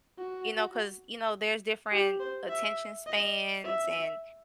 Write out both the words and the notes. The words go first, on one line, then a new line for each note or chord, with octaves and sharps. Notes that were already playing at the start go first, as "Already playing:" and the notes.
you know, 'cause, you know, there's different attention spans and,
F#4
G4
C5
E5
D#5
E5